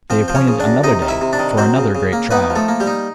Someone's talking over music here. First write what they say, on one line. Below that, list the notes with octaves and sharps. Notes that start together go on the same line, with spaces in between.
They appointed another day, for another great trial.
F3 C4 C5
F3 C5
C#4 C#5
C#3
D4 D5
F#2
C3 D#4 D#5
D#3
E4 E5
C3
D4 D5
D#3
F#3 C4 C5
C#3
C#3
A#3
B3 D#4 B4
F3
A3 A4
A#3
G3 G4
D#4